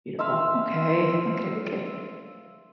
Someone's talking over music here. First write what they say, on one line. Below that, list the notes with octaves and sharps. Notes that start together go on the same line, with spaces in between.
Beautiful. Okay. Okay, okay.
E5 F5 C6 E6